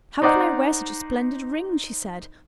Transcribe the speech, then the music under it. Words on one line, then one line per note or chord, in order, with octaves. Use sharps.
"How can I wear such a splendid ring?" she said.
D#4 C5 D5 D#5 F#5 A#5